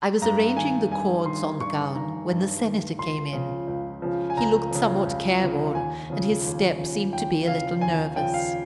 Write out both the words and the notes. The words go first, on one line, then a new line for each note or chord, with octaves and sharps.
I was arranging the cords on the gown when the Senator came in; he looked somewhat careworn, and his step seemed to be a little nervous.
G2 A#5
D#3 G#5
G2 G#5
D#3 C6
G2 C#6
D#3 A#5
G2
D#3
C#2 C6
C#3 F3
C#2
C#3 F3
G#5
C#2 A#5
C#3 F3
C#2
C#3 F3
D#2 G#5
C#3 F3
D#2
C#3 F3
D#2 G5
C#3 F3 F5
D#2 G#5
C#3 F3 G5
F5